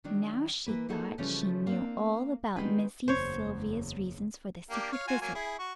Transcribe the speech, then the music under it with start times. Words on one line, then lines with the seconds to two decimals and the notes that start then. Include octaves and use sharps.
Now, she thought, she knew all about Missy Sylvia's reasons for the secret visit.
0.04 D#3 F#3 D4
0.66 E3 A#3 B4
0.89 A#3 D#4 F4 F#4 G#4 A4
1.18 C#3 E3 F3 G3 A3 C#4
1.67 A#3 C4 D4
2.56 D#3 G3 G#3 B3 C4 B4
3.08 F#1 E2 C5 C#5
4.70 A#3 D4 G4
4.92 C#5 F5
5.07 F4 F#4 G#5
5.22 F#3 A#3 G#5
5.35 E4 G#4
5.59 F#4 C#6